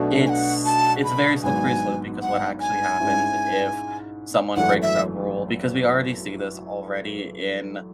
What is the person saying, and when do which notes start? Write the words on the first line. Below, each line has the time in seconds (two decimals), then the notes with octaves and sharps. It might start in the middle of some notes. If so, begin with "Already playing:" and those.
It's it's a very slippery slope, because what actually happens if someone breaks that rule because we already see this already in
Already playing: B1 B2 A3 D4 F#4
0.26 G#5
0.29 F#5
0.66 A5
1.04 B5
1.43 G#1 G#2 F#3 B3 G#5
2.22 F#5
2.60 G#5
3.00 G#2 G#3 C#4 E4
4.56 G#1 F#2 E3 A3 F#5
4.82 E5